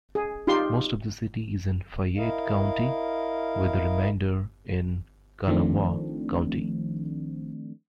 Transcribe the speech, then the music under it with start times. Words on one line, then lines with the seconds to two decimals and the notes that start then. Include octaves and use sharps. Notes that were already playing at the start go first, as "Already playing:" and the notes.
Most of the city is in Fayette County, with the remainder in Kanawha County.
0.15 G#4
0.47 D#4 F4 G4 C6
2.17 E4 A#4 D#5 F5
5.48 D#3 F3 A3 C4 D4